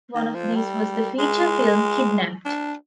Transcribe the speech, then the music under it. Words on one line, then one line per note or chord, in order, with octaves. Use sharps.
One of these was the feature film "Kidnapped".
D#3
F3
G3
G#3
D4